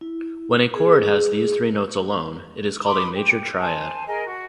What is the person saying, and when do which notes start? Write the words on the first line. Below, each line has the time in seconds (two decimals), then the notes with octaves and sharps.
When a chord has these three notes alone, it is called a major triad.
0.01 E4
0.76 G#4
2.86 B5 C6 D6 D#6
3.12 G4
3.59 C5 G#5 A5
4.07 G#4 A#4 D#5 G#5
4.25 F#4